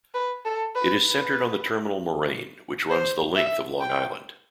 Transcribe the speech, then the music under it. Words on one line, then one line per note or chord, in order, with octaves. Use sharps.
It is centered on the terminal moraine which runs the length of Long Island.
B4
A4
B4
B4
C5
E5
G5